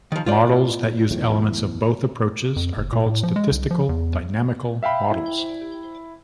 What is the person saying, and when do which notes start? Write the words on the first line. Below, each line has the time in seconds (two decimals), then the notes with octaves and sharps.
Models that use elements of both approaches are called statistical-dynamical models.
0.12 D#3 F3
0.26 A2 F4 C5 D5
1.11 B1 E2 A2
2.56 F2
2.77 F#1
2.92 A#2
3.06 A2
3.23 F3
3.36 G#3
3.51 C2
3.71 F3
3.89 E2
4.83 E5 F5 G5 B5
5.11 E4